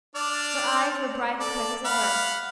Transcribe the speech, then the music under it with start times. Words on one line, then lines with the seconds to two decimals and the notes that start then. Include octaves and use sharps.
Her eyes were bright and quick as a bird's.
0.16 D4 D5 F6
1.40 A4 D5
1.85 F5 F#5 B5